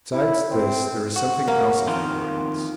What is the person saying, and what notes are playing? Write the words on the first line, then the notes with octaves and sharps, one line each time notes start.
But besides this there was something else of importance.
E4
C4
F#4
A#3
F2 D#3 F4